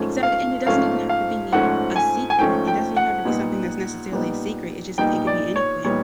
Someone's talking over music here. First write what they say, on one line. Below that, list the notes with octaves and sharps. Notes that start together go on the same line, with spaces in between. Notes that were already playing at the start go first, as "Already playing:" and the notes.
Exactly, and it doesn't even have to be a secret, it doesn't even have to be something that's necessarily a secret, it just c it could be anything.
Already playing: G#2 F3 A3 C#4
F5
G#2 F3 A3 C#4 F5
F5
G#2 F3 A3 C#4 F#5
G#5
G#5
G#2 F3 A3 C#4 G5
G5
F#5
A#2 G3 B3 D#4
A#2 G3 B3 D#4
A#2 G3 B3 D#4 G5
D5
C#5
A#2 G3 B3 D#4 C#5